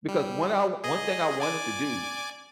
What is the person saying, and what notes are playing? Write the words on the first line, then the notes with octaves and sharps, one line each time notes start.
because one I one thing I wanted to do
G3
G#4 D#5
D5 G#5 D6